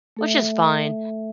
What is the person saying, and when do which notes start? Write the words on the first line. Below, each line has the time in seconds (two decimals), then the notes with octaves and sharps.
Which is fine.
0.17 A3 A4 E5